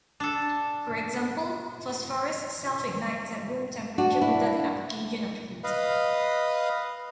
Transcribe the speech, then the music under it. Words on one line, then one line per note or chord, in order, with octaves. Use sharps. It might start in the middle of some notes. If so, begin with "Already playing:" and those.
For example, phosphorus self-ignites at room temperature without the application of heat.
D4 A4
D4 F#4
E4
B4 D#5 F5